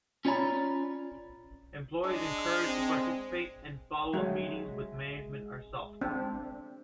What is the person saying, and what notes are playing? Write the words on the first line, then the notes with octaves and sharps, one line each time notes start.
Employers encouraged to participate, and follow-up meetings with management are sought.
C#4 F4 C#5 D5 A#5 B5
G#3 D4
C4
F#3 G#3 G#4 E5
C4 D4